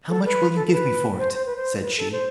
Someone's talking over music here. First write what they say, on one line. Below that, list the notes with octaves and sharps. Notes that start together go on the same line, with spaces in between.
"How much will you give me for it?" said she.
A4
B4
A4
A4
B4
C5
C5
B4
C5
B4
A4
C5